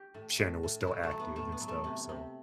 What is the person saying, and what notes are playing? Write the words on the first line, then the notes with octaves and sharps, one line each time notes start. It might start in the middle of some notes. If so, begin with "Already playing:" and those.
channel was still active and stuff. So,
Already playing: G4
A2
A2
A2
E4
A2 F#4
A3
F#3
B3
A2 A3
B3
F#3
A3
C3 B3
C3